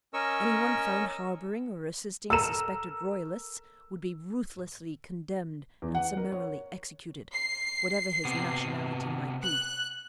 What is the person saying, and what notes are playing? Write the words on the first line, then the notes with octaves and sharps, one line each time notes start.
Anyone found harbouring or assisting suspected royalists would be ruthlessly condemned and summarily executed, whatever his nationality might be.
C#4 A#4 D#5 C#6 E6
A4 A#4 A#5 E6 E7
E2
F#5
A#4
C#5
C7
C3 B3
F#6